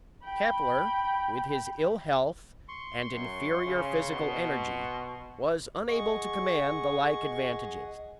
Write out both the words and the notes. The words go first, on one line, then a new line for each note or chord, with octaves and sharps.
Kepler, with his ill-health and inferior physical energy, was unable to command the like advantages.
G5 B5
C6 C#6
F#2
C#3
B2
G#4 D#5 F#5 C#6